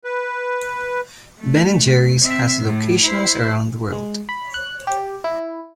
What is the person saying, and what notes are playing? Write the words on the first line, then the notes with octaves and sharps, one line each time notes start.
Ben and Jerry's has locations around the world.
B4
A3
C4 E5
A2
E4 C5
G#3
B5
F#6
G4
E4